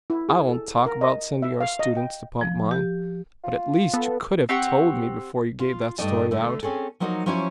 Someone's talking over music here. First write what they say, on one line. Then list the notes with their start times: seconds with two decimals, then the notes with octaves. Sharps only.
"I won't talk about sending your students to pump mine, but at least you could have told me before you gave that story out."
0.10 E4
0.29 G#4
0.49 A4
0.86 A#4
1.01 D#5
1.42 E5
1.60 F5
1.79 D#5
1.97 G5
2.41 F3
2.71 G4
3.44 F4
3.94 B3 A4
4.49 C4 G4 F#5 C#6
5.60 F4
5.98 G2 A3 D4 D#4 D#5 A5
6.31 D3 A3
6.63 C4 C#4 G#4 A4
7.00 F3 F#3 A#3 D#4 F#4 A#4
7.26 F3 F#3 C#4 E4 F#4 C#5